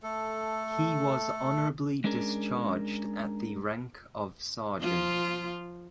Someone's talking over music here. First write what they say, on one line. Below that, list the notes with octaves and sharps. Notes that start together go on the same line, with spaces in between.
He was honorably discharged at the rank of Sergeant.
A3 A4
G#3 C#4 D4 G#4 A#4
F3 F4